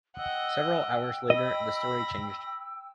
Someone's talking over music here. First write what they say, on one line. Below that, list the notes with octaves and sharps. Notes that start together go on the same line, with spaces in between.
Several hours later the story changed.
D#5 F#5 G5 E6
D#5 B5 A#6